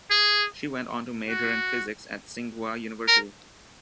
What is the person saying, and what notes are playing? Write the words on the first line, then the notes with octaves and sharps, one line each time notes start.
She went on to major in physics at Tsinghua University.
G#4
F#4
A#4